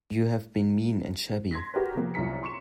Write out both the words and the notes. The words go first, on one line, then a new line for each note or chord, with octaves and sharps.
You have been mean and shabby.
C6 G#6 A#6 B6
F#4 G4 A#4 B4
C3 F3 A#3
C2 F#2 F4 A#5 B6 C#7
A#5 C6 C#6 C#7 E7